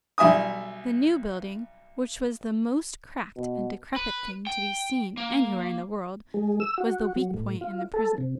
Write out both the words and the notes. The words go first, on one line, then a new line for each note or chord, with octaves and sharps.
The New Building, which was the most cracked and decrepit thing to be seen anywhere in the world, was the weak point in the prison.
B1 G3 E5 G#5 D#6
B2
B4
G5
A#3
G#3
E6
F#4
F#3
A2
F4
A4
C3